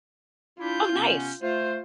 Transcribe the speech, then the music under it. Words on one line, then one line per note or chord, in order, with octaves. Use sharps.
Oh, nice.
D4 E4 F4 G6
C3 B3 C#4
A3 F4 C5